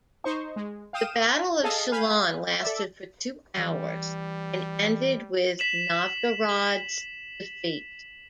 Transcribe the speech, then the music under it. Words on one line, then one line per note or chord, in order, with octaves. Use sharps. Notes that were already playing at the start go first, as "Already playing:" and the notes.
The Battle of Shelon lasted for two hours and ended with Novgorod's defeat.
D#4 C5 C#6
G#3
F5 G5 D#6 D#7 E7
G#4 A4 D#5 F5 A5
F5 G#5 B5 G6
A4 D5 E5
E3 G3
B6 E7 F#7